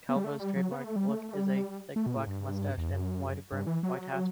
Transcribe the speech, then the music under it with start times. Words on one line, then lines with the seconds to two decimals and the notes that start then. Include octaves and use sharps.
Calvo's trademark look is a thick black moustache and wide-brimmed white hat.
0.09 B3
0.16 G3
0.24 A3
0.40 G3
0.56 F#3
0.72 B3
0.84 A3
0.96 G3
1.09 A3
1.29 A3
1.33 G3
1.96 A3
2.06 B2
2.16 A2
2.27 G2
2.78 E2
2.90 F#2
3.52 G2
3.67 E3
3.83 F#3